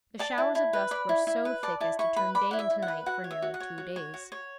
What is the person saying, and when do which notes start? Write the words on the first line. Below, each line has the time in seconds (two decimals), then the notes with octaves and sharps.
The showers of dust were so thick as to turn day into night for nearly two days.
0.19 D5 A5
0.38 E4
0.55 E4
0.73 B4
0.91 D5 B5
1.09 E4
1.27 E4
1.45 B4
1.63 D5 A5
1.80 E4 A5
1.99 E4 C#6
2.16 B4 B5
2.35 D5 B5
2.51 E4 F#5
2.59 E5
2.70 E4
2.82 F#5
2.88 B4
3.06 F#4 F#5
3.24 C#5
3.31 E5
3.42 F#4
3.54 F#5
3.60 C#5
3.78 F#4
3.96 C#5
4.14 F#4
4.32 C#5